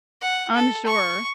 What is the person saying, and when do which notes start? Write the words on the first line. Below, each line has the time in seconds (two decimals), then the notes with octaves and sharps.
I'm sure.
0.21 F#5
0.55 A4
0.86 C#6